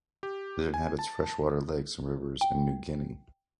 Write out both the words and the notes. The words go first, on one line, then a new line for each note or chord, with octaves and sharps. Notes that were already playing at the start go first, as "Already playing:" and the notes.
It inhabits freshwater lakes and rivers in New Guinea.
G4
G#5
A5
G5